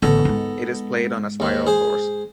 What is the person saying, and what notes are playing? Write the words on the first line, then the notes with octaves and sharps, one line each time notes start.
It is played on a spiral course.
A1 D3 B3 A4 A#5
G#2 G#3
D#2 D#3
G#4 C5